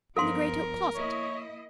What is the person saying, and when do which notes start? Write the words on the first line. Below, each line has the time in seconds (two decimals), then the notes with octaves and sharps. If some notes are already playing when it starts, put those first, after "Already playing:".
"In the great oak closet."
0.17 G2 F3 B3 A4 A#4 F5 C6
0.95 A#3 E4 C#5 D#5